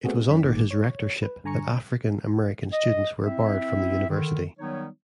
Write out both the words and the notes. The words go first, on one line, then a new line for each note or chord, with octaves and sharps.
It was under his rectorship that African American students were barred from the university.
A3 B3 C4 F#4 G#4
F#2 C#4 B6
G1 A#2 D#3 D6
C#5
B4
G2 D3 G#5 A#5 C#6 C#7
D#5
C4 E4 E5
D3 D#3
D#3 F#3 G3 B3 D#4 C#5